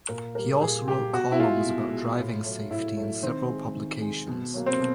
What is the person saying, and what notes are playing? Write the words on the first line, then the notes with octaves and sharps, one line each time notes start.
He also wrote columns about driving safety in several publications.
A#2 A#4
G3 A#3 A#4
A#2 G#4
G3 A#3 G4
B2 F#4
E4
G#3 F4
B2
G#3
A2
F#3 A3
A2 E4
F#3 A3
D#3 C4
G#3
D#3
G#3
B2
F#3 A#3
C4
B2